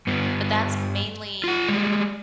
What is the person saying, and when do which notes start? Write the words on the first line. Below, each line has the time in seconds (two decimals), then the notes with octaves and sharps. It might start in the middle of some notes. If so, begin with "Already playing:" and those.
But that's mainly,
0.07 G2 B3
1.44 F4 F#5
1.68 G3 G#3